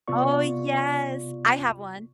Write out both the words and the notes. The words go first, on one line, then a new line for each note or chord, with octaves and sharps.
Oh, yes, I have one.
C3 B3 F4 D5 C#6